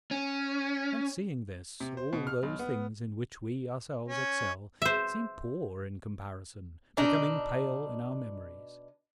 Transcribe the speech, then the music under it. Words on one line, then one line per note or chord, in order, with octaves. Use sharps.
And, seeing this, all those things in which we ourselves excel seem poor in comparison, becoming pale in our memories.
C#4
C3
C5
B2
F6
B1
B3
C#4
C5 E5
B2 D4 D#4